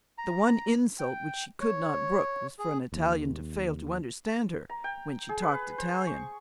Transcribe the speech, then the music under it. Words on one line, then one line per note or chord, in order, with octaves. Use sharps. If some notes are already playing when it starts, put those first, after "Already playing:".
The one insult which she could not brook was for an Italian to fail to understand her when she talked Italian.
A#5
G5
C#5
G#4
D#2
A#5
G5
G#4
B4
C5
C#6